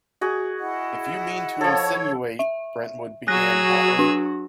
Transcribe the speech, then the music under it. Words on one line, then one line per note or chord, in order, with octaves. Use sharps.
If you mean to insinuate -- Brentwood began hotly.
F#4 G#4
E4 D#5 F#5
F3 A4 C#5
E5
F#3 F#4 G#4 E6 F#6 A#6
D4